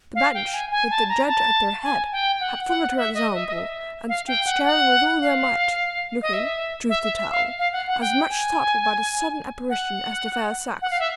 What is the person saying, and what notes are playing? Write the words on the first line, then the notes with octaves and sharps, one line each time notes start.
The bench, with the judge at their head, had followed her example, and stood staring with all their might, looking, truth to tell, as much startled by the sudden apparition as the fair sex.
F5
G5
G#5
G#5
A5
A#5
A5
G#5
G5
F#5
F#5
E5
D#5
E5
D#5
E5
F5
G5
F#5
F#5
F5
D#5
E5
E5
E5
E5
F5
F5
F#5
F#5
G5
G#5
F#5
F#5
F5
E5